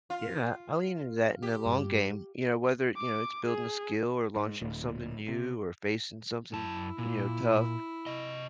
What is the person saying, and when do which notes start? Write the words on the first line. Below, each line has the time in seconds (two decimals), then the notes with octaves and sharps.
Yeah, I lean into that in the long game, you know, whether, you know, it's building a skill, or launching something new, or facing something, you know, tough,
0.10 F4
1.42 G4
1.66 G2
2.96 D6
3.45 G#4
4.36 G#2
4.62 D1
5.28 C3
6.53 F#2 E4 A5
6.98 A#2
8.07 C3 D#5